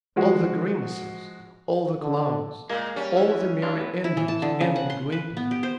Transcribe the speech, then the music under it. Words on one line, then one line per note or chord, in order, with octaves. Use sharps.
All the grimacers, all the clowns, all the merry-andrews envied Gwynplaine.
F3 G#3 F#4 G#4
D3
A#2 G#3 A#3
G3 C#4
E3 E5
G2 D4 F4
A2 E3 B3
E4
E3
A5
D3
C#3
F#5
C6
B4
B3
G4
C5